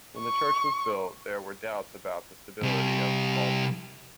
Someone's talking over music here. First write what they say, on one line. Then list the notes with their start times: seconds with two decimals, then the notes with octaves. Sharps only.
When the church was built, there were doubts about the stability of the vaulting.
0.20 C#6
2.62 C3 G3